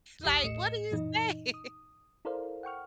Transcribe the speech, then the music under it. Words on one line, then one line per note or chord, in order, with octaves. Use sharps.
like, what do you say,
A1 D#2 G4 D#6 C7
A2 A3 D#5 C#7 E7
F#2 A#2 E3 D#4 D#5
D#6
E4 A4 A#4 C5 D5 F5
F#5 G5 C#6 F6